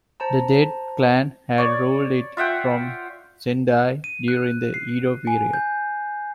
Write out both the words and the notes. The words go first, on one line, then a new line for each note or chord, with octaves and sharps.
The Date clan had ruled it from Sendai during the Edo period.
C5 A5 A#5
C#5 D5
F4 E5 F#5 G5
D#7
F#6
C7
G#5
G6